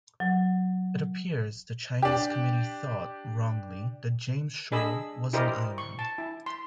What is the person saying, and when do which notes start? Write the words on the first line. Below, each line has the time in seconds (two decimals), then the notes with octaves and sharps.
It appears the Chinese committee thought, wrongly that James Shoal was an island.
0.20 F#3
2.02 D4 G4
4.72 D4 G#4 D#5 B5 E6
5.33 E4 G4 A#4 C5 D5 D#5
5.78 C#6
5.99 A5
6.18 E4
6.46 C6